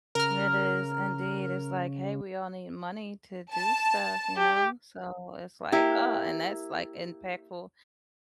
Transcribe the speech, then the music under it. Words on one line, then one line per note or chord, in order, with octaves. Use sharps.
It is, indeed, it's like, "Hey, we all need money to do stuff," you know? So, it's like, "Oh" and that's like impactful,
C#3 A#4 F6
A5
G4
A#3 E4 G4